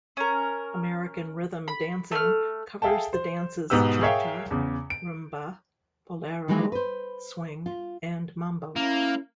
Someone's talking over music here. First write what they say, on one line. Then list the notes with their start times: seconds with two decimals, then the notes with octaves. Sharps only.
American Rhythm dancing covers the dances cha cha, rumba, bolero, swing, and mambo.
0.17 C#4 A#4
1.68 B5
2.12 A3 F6
2.82 G#4 A4 E5 F5 G5 A5
3.13 C5
3.70 G#2 B2 B3 G4 E6
4.01 G#4 A#4 C#5 E5 F5 G5
4.51 E2 C#3
4.90 D7
6.48 D#3 E3 F#3 G#3 A#3 G#4
6.72 B4 C5
7.66 F4
8.76 A#3 C#4 E4